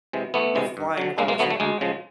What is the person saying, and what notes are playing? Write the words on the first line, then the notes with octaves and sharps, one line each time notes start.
with flying cars and everything.
C3 E3 G#3
E2 A3 B3
C3 E3 G#3
G2
D3 F#3
G2 G#3 A#3
G#3 A#3
D3 F#3 A3 B3
A3
D2 G#3
C#3 F3 G#3